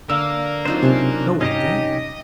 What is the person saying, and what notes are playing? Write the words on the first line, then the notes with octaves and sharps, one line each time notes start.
No one there!
D3 A#4 F5 E6
F#3 C4 D4 D#4 F4 C5
C3 C#4 A5
C#4 D#4 G4 D#5 F5 A5